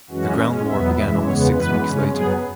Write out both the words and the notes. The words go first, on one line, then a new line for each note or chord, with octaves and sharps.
The ground war began almost six weeks later.
F#2 E3 G#3 C#4 F#4
B2 G#3 C#4
E2 B2 F#3 B3 E5
F#2 E3 G#3 E5
E2 C#3 G#3 B3 C#5
F#2 E3 G#3 B3 B4
C#3 G#3 C#4
F#2 F#3 B3 G#4